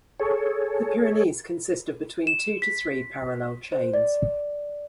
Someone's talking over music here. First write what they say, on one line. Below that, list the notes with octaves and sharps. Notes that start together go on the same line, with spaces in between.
The Pyrenees consist of between two to three parallel chains.
G#4 A4 C#5
E7
B6
C5
D5